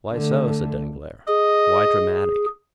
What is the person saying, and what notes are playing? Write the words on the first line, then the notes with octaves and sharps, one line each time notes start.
"Why so?" said Danglars; "why dramatic?"
D3 A3
G#4 D#5